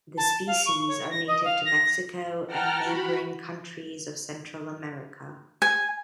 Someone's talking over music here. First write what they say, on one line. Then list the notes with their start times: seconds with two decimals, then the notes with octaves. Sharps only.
The species are native to Mexico and neighboring countries of Central America.
0.17 A5
0.47 F5
0.66 C#6
0.88 C#5
1.10 A#6
1.27 D#5
1.44 F5
1.65 A#6
2.47 F#5 G5 A5 A#5 F6
2.84 F#4 B5
5.62 G#5